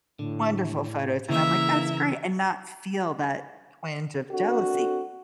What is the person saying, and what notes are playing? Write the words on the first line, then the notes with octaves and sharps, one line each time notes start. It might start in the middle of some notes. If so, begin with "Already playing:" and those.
wonderful photos, and I'm like, "That's great," and not feel that twinge of jealousy.
A2 D3
C#3 E3 A#3 E4 E5 A#5
C4 D4 F#4 A4